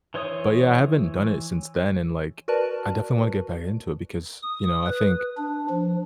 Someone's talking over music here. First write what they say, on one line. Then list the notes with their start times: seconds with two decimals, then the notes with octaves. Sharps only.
But, yeah, I haven't done it since then, and, like, I definitely wanna get back into it because, you know, I think
0.14 E3 C5 C#5 D#6
2.48 F#4 A#4 B4 D5 A5
4.42 D#6
4.87 B4
5.37 D4
5.70 F3